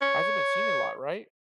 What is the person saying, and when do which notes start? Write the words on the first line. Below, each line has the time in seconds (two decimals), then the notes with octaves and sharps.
hasn't been seen a lot, right?
0.02 C#5